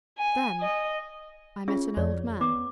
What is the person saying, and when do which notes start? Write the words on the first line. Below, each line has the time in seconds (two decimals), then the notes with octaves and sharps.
Then I met an old man.
0.18 G#5
0.60 D#5
1.68 C#4 F4 G#4 E5
1.97 F2 C#5 D5
2.41 B3 D6